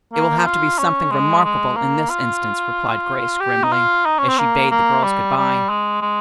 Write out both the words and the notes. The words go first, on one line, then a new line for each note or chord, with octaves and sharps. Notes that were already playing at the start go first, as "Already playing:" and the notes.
"It will have to be something remarkable in this instance," replied Grace grimly, as she bade the girls good-bye.
A#3
F4
C#4
G#3
G#3
A#3
F4
G4
D#4
F4
D#4
C#4
C4
A#3
A#3
G3
G3
G#3
G#3